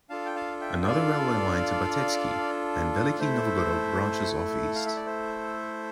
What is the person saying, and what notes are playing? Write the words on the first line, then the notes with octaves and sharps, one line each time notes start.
Another railway line to Batetsky and Veliky Novgorod branches off east.
D4 F4 A4 F5 A5
G5
F5 A5
E5 G5
G5
D5 F5
A3 E4 A4 C5 E5
F5
E5
D5
C5 E5